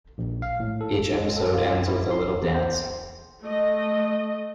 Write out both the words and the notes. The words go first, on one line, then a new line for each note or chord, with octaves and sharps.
Each episode ends with a little dance.
A#1
F5
A2
A4
G#3
A4
F4
E4
C6
E2
C5
A3 D#5